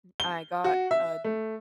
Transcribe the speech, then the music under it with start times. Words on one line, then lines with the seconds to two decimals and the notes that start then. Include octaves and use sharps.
M I got a
0.20 G7
0.64 F#4
0.91 E5
1.24 A3